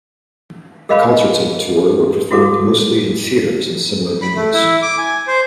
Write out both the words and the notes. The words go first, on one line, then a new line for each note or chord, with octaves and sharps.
The concerts on the tour were performed mostly in theaters and similar venues.
G#4 A#4 D#5 F5 B5
E4 F#4 A4 D6
B5
A3
E4
D6
G#5
C5